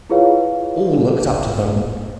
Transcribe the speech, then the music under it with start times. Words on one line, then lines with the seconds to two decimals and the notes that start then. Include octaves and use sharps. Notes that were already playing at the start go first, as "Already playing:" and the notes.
All looked up to them.
0.10 E4 F4 G#4 B4 C#5 F5